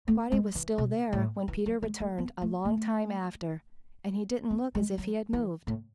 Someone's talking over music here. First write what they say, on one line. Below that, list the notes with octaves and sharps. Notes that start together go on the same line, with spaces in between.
Spotty was still there when Peter returned a long time after, and he didn't look as if he had moved.
A3
G#3
E3
B2
A2
E3
F#3
G#3
A3
B3
A3
A3
B3
G#3
F#3
E3
A2